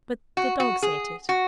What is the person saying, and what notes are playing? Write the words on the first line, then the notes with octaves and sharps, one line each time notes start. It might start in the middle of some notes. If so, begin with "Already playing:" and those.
But the dogs ate it.'
F#4
F#4
G#4
F#4